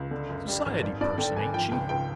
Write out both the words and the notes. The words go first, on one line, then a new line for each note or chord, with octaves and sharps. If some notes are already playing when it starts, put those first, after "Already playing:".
"Society person, ain't she?"
Already playing: C#2
D3
F#2
G3
G#1
G#1 D5
G2 D5
D3 G5
G#1 G#5
F3 G5
C#2 G5
C#2 G5